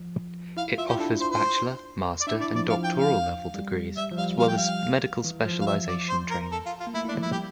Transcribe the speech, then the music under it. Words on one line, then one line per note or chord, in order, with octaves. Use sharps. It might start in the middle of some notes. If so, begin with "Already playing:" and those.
It offers bachelor, master, and doctoral-level degrees, as well as medical specialization training.
Already playing: F3
E4 F5
F4 E5
G4
E4
D4 A4
C5
C5
D5
D4 E5
E4
D4 D5
F3 D5
F3 F5
G5
F5
G3
G3 E5
F3
G3 F5
F5
G5
F5
E3
F3
F5
F3 E5
D5
C5
A#4
A4
F4
F4
A#3
A3 E4
E4
D4
F3
E4
G3
G4